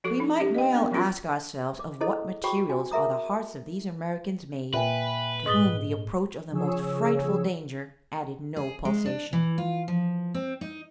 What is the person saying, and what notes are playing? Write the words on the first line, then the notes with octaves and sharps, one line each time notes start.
We might well ask ourselves of what materials are the hearts of these Americans made, to whom the approach of the most frightful danger added no pulsation.
F3 F#4 A4 D6
D#4
C#4 G4
D#5 G5
B3 D4 A#4
F3 F#3 A3 C#4 F4 F#4
D6
E4 G#4 A4 C5 D#5
F#4 G#4 C5 G5 B5 C#6
F#4 G#5
G#4 A#4 E5 A#5 D#6
A#2 B4 E5 G5 G#5
G#2 D#5 D#6 A6 G7
C#3 F3 G#4 C#5 E6
G#4
G#3
D4
E3
F4
F3
C4
D#4